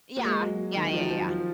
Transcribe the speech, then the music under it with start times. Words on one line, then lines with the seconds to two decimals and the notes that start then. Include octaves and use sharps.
Yeah. Yeah, yeah, yeah.
0.17 A#3
0.25 G#3
0.42 F#3
0.76 D#3
0.93 F3
1.04 F#3
1.10 F3
1.28 F3